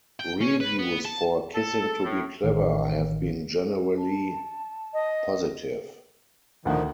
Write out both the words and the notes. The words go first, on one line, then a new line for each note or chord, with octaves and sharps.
Reviews for "Kissing to Be Clever" have been generally positive.
G5
C#4
B4
B3
A5
A4
A2
A1 D#3 F5
A5
D#5
D2 A#2 D#3 F3 F#5